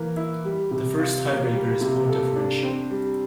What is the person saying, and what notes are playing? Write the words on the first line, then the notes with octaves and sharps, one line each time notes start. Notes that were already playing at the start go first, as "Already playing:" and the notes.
The first tiebreaker is point differential.
Already playing: E3 A#3 A#4
E4
G3
C3
F4
A#3
G3
C3
A4
D4
C4
G3